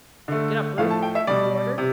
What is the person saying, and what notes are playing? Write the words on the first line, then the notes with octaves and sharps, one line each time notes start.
"Get up, Ruth," he ordered.
D3 A3
A2 F3 A3 F5
A5
G5
E5
B2 G3 D5
C3